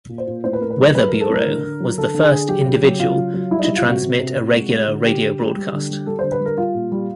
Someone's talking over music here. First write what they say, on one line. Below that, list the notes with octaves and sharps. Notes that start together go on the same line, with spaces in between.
Weather Bureau was the first individual to transmit a regular radio broadcast.
A#2
C5
A#2
A2 C5
B4
A2 A#4
B4
F#3
F#3 B4
F#3 A#4
A4
A2 A#4
D3
D3
F#3
D3 A4
D3
G#4
D3
F#3 G4
C#3
F#3
C#3 F4
F#3
F#3
G3 E4
D#4
G3 E4
F4
C3 F#4
C3
C3
C3
G#3
G#3
D3
D3 G4
D3
G#3
G3
D3
G3
G3 A4
D3 C5
B4
G3
A#4
G3 F4
A#2
G3